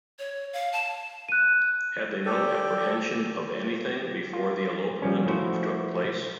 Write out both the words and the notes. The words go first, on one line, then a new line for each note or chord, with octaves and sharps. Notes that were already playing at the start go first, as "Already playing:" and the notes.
Had they no apprehension of anything before the elopement took place?
C#5
F5
A5
F#6 D#7
G4 A4 D5
F4
F3 G3 C#4
F3 A3 E4 F#4 C5